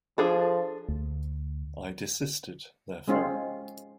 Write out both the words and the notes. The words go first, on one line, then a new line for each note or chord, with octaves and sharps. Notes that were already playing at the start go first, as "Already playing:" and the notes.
I desisted, therefore.
F3 D4 G#4 A4
D2
G#3 C4 C#4 F4